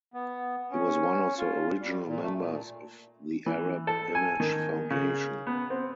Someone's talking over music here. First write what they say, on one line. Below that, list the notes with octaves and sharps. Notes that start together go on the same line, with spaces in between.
He was one of the original members of the Arab Image Foundation.
B3
C#4
F4
G3
A#2
A3
A#2
E3
A4
G#5
D#3
C#3
B3
C4